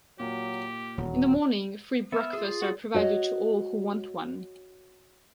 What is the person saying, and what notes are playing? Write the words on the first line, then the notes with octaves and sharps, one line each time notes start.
In the morning, free breakfasts are provided to all who want one.
A#2 F#3 G4
D#1 E2 F#3
B3 E5 F6
F4 G#4
F#4
F#4 C#5 D#5